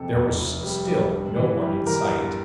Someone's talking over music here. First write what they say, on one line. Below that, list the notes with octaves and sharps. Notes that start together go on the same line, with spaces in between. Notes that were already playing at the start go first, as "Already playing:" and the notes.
There was still no one in sight.
Already playing: F2 C3 A4
F1
F1
G3
G3
G1
E3
G3
E3 A#4
G1